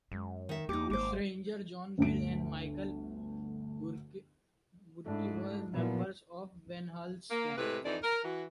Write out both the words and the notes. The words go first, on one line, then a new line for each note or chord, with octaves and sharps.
Bushrangers John Vane and Michael Burke were members of the Ben Hall's gang.
F#2 G#3
D#3 E5
E2 A#3 D#4 G4 D6
G#1 G#3 C5 D6
G1 D2 D7
G#2 A3 D4 E4
A#2 F3 F#3 B3 E4
A#3
A2 C3 G#3 B4
F2 E3 D#4 D5
A#4
E3 F#4